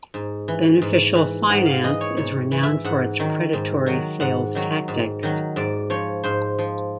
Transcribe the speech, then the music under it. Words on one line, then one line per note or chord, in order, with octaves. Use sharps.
Beneficial Finance is renowned for its predatory sales tactics.
G#2
E3
G#2
E3
G#2 F#5
F5
E3 D#5
C#5
G#2 C#5
E3
E5
G#2 F#5
D#3 F#3
G#2
D#3 F#3
G#2 F#5
D#3 F#3
G#2
D#3 F#3
G#2 D5
F3 C#5
G#2 C5
F3